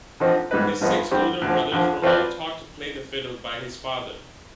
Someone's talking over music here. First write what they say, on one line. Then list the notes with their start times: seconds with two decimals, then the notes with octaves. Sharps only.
His six older brothers were all taught to play the fiddle by his father.
0.20 D3 F3 C4 D#4
0.51 G#2 G3 B3 D#4 B4
0.81 G2 F3 B3 D#4
1.11 D3 G3 C4 G4
1.42 D2 D3 F3
1.72 F2 D3 F3
2.02 F3 C4 F4 B4 D5